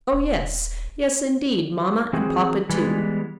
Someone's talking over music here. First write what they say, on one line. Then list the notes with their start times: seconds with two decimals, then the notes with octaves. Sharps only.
"Oh, yes; yes indeed, mamma and papa too."
0.13 D#1
2.13 E3 C4 F#4 G#4
2.70 E3 G3 G#3 B3